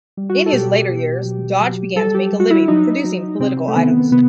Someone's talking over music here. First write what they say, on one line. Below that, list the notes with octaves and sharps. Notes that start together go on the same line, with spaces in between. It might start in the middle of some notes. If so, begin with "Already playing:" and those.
In his later years, Dodge began to make a living producing political items.
G3
F#4
A4
B2 G4
B2
F#3
F#3
G3 A4
G4
G3
F#4
E4
F#3 D#4
F#3
C3 C4
A3
D#3 B3
C3 B3